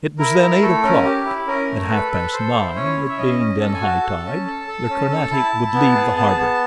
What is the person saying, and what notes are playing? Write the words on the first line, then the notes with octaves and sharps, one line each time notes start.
It was then eight o'clock; at half-past nine, it being then high tide, the Carnatic would leave the harbour.
E4 A#4
E4 A#4
A3 A4
C#4 A#4
G4
E4
C#4 A#4
A3
A4 B4
A4
A4 C5
E4
C#4 C#5
E4
E5
C#4 D#5
C#4
A4 A5
G#5
F#4 A5
A4
C#4
A4
A4
C#4
A4
E4 A5
E4
B3
G#4
B3 A5
B3